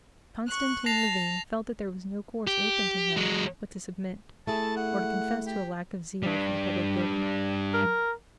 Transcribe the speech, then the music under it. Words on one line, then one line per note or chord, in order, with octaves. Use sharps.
Konstantin Levin felt that there was no course open to him but to submit, or to confess to a lack of zeal for the public good.
C#6 F#6
A5 A#6 C7 F7
G4
F#3 G#3
A3 E4 G#4 A5
F#5
G4
G3 D4
A#4